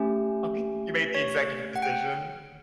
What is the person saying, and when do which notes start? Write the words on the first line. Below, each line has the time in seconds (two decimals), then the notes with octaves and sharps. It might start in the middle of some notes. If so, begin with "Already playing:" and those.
Okay. You made the executive decision?
Already playing: A3 C#4 G4
1.15 C#5
1.76 F#5
1.82 G5